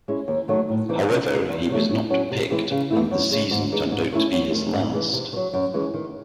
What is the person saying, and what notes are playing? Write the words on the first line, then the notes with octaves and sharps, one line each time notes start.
However he was not picked and the season turned out to be his last.
G#3 C#4 E4
D#2
D#3 F#3 A3 D#4
A2
E3 C4 D#4
C#3
G#3 D#4
E2
C3 F#3 A3
A2
F#3 C#4
C3
E3 G#3 C4 E4
C#3
E3 A3 C4 E4
F#2
C#3 G#3
G#2
E3 G#3 D#4
G#2
D#3 A3 C#4 E4
F#2
D#3 A3
G#2
E3 G#3
C3
D#3
F#3
F#2
E3 G#3 C#4
D#3